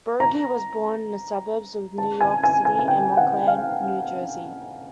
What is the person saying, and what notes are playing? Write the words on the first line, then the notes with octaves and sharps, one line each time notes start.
Burgi was born in the suburbs of New York City in Montclair, New Jersey.
A#5
A5
G#5
G#5
G#5
G#5
G5
F#5
F5